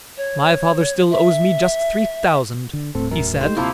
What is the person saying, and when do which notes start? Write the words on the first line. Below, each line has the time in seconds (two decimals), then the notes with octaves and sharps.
'My father still owes me just three thousand,' he said.
0.17 C#5
1.10 E5
2.73 D3
2.95 D#1 A2 A3 C4 A4
3.11 F#2 A#4
3.41 A3 D#4 G4 C5
3.57 D2 C3 F3 A#3 E4 A5 C6